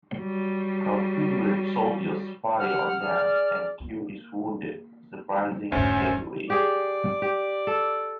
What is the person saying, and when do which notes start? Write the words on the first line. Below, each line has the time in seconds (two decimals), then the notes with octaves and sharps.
Confederate soldiers fire on them, and Q is wounded - surprising Janeway.
0.16 F#3 G3
2.59 G4 F#5 F6
3.01 G#4 D5
3.81 A#3
5.72 F1 D2 G#2 C#4 C5 E5
6.50 G4 G#4 D5
7.22 G4
7.67 A4